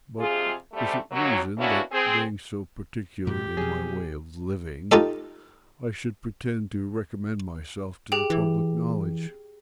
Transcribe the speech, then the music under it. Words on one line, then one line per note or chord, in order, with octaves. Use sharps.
But is it reason that, being so particular in my way of living, I should pretend to recommend myself to the public knowledge?
F2 C3 F4 G#4
G#2 C3 G3 A3
D#2 F#3
A#3 B3 C#4 D4 E4 F#4
C4 G#4
G#2 B2 G4
B2 F#3 G#4
D#4 F4 G4 A4 D#5
G4 G#4 G5
E3